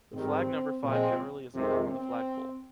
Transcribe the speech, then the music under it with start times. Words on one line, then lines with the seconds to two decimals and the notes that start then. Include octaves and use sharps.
The flag number five generally isn’t hung on the flagpole.
0.13 G#2 D#3 G3 C4
0.83 A#2 F3 G#3 C4
1.54 F2 C3 D#3 G#3
1.89 C4